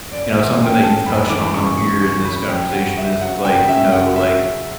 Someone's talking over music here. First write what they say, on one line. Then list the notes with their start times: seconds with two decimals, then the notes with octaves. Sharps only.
you know, something that you've touched on here in this conversation is like, you know, like
0.12 F#2 D5
0.30 E5
0.35 E3
0.59 C#4
0.65 G5
0.83 A3 A5
1.06 F#2 B5
1.30 E3 D6
1.54 C#3 C#6
1.78 F#3 C#6
2.02 C#3 C#6
2.25 C#4 B5
2.49 C#3 G5
2.73 F#3 F#5
2.97 C#3 E5
3.21 F#3 F#5
3.44 C#3 G5
3.69 C#4 E5
3.92 C#3 F#5
4.16 F#3 E5
4.40 C#3
4.63 F#3